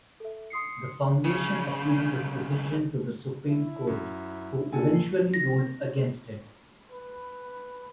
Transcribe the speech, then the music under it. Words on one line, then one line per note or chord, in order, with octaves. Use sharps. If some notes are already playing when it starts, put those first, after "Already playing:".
The Foundation appealed this decision to the Supreme Court, who eventually ruled against it.
A4 E5
C6 D#6 C7 C#7
B1 C#3
E4
F#2
A#2 A4 G#5
A#6
B4